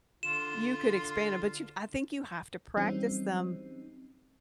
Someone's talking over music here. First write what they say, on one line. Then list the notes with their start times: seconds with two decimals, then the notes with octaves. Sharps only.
You could expand it, but you I think you have to practice them
0.23 D3 F4 E7
2.77 E3 F#3 G3 C4 C#4 D#4